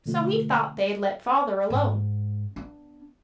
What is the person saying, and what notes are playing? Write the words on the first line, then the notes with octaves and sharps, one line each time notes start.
So he thought they'd let Father alone.
B2 D3 F3 A3 F4
G#2
B3 D4